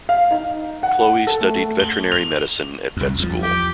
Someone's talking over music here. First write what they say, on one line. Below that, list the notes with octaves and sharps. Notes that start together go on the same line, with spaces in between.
Chloe studied veterinary medicine at Vet School.
F5
D#4
F#5
A4
A3
G7
F7
C2 F2
E2 F3
G4